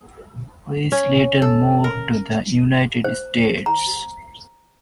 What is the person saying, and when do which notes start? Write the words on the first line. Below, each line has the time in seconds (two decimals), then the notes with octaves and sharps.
Reiss later moved to the United States.
0.92 C#4
1.42 A4
1.84 A#4
3.04 C5
3.66 A#5